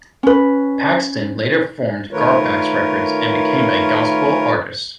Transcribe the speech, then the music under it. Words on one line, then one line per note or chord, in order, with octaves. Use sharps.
Paxton later formed Garpax Records and became a gospel artist.
C#4 B4
D#3 A3 F4 A#4 B4 C#5